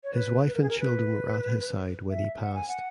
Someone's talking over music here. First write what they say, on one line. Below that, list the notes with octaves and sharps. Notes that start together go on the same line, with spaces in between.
His wife and children were at his side when he passed.
C#5
B4
B4
A#4
G#4
A#4
B4
E5
F#5
G#5
F#5